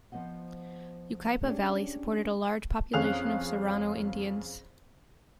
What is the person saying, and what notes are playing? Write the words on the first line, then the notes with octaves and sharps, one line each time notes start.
Yucaipa Valley supported a large population of Serrano Indians.
F3 B3 C5 D#5 F#5
C#4 D4 G4 G#4 C#5 D5
F2 C#4 G#4 F5 F#6 F7